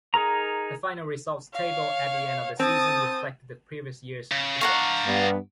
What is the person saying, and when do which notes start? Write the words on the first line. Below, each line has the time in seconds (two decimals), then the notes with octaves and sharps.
The final results table at the end of the season reflected the previous year’s performance.
0.14 D#4 G#4 A#4 A#5
1.53 C#5 F5
2.60 C4 A5 D#6
4.32 C#3
4.61 D4 F5 F#5 A#5 C#6
5.06 G2 B3